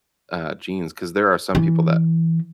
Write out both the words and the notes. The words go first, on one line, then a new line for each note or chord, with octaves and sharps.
uh, genes 'cause there are some people that
E3